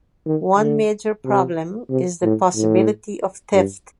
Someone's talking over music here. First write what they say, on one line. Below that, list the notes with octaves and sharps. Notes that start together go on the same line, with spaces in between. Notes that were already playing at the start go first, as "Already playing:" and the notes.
One major problem is the possibility of theft.
D#3
D3
C3
C3
A2
A2
G2